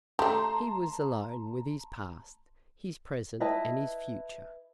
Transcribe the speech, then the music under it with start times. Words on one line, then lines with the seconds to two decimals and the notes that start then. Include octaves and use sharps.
He was alone with his past, his present and his future.
0.19 A3 G4 A5 A#5 C6
3.40 E4 B4 D#5 A5